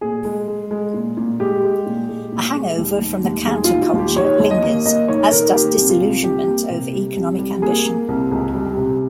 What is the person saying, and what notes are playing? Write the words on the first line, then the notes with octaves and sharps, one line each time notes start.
A hangover from the counterculture lingers, as does disillusionment over economic ambition.
A#2 G#4
G#3
G#3
G#3
A#2
A#2
G#3 G4
G#3
A#2
G#3
A#2
G#3
D#2
D#2
D#2
D#2 G#4
F4
D#3
F4
D#2
G4
D#3 C#5
D#2
D#5
A#3
A#3 D#5
D#3 C#5
D#3 A#4
A#3 G4
C2
F4
C2
G3 G4
A#3
C3
G3
C2
G3
A#3 G#4
A#3
C2
C#2
G3
C3